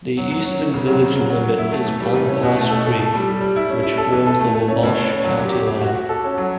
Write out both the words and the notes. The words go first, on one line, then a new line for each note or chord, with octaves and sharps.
The eastern village limit is Bonpas Creek, which forms the Wabash County line.
F#3
F#3
C#4
C#4
C#3
F#3
C#3
F#3
F#3
F#3
E4
A3
E3
G3
E3
C#4
B2
A3
A4
A4
A4
G3
G3
G3
E4
C#4
E4
A4
E3
A4
A3
A4
C#4
A2
C#4
C#4
F#3
G4
G4
G4
F#4
F#4
A4
C#4
F#3